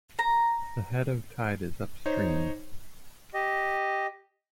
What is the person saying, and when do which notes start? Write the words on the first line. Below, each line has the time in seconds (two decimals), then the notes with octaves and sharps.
The head of tide is upstream.
0.19 A#5
2.06 D#4 C5 C#5
3.34 G4 D#5